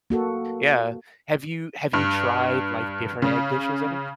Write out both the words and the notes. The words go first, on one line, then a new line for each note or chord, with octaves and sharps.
Yeah. Have you have you tried, like, different egg dishes, any?
A#3 F#4 A4
G2
C#3